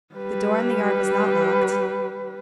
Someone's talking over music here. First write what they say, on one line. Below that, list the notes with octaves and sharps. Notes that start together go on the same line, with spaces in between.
The door in the yard was not locked.
G3 B4